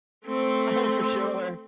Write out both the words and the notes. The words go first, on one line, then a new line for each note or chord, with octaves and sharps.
Oh, for sure.
A3 C4